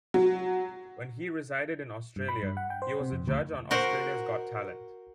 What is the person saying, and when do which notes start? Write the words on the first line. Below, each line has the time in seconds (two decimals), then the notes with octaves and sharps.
When he resided in Australia, he was a judge on "Australia's Got Talent".
0.14 F#3
2.16 G2
2.28 B5
2.43 G2
2.57 F#5
2.70 G5
2.82 C5
3.01 C3
3.12 F2
3.28 D2
3.71 F#4 A#4 C5